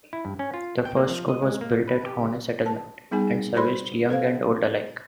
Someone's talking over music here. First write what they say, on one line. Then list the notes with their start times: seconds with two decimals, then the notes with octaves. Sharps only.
The first school was built at Horne Settlement, and serviced young and old alike.
0.13 E4
0.25 G2
0.39 C#4
0.54 F4
0.85 G5
0.97 A#3
1.10 F3
1.29 D#5
1.42 G#3
1.61 A#3
1.88 B4
2.06 G4
2.66 A5
3.11 G3 B3 D#4 G#4 G#5
3.55 F#4 C5 D5 B5 C6
4.09 A4 B4 C5 F5